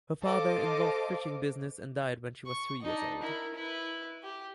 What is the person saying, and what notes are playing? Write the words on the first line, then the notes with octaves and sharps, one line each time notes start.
Her father involved fishing business and died when she was two years old.
A4 C5 D#5 F5 D6
C#6
D4 D#4
E4 A#4
E4 B4
G4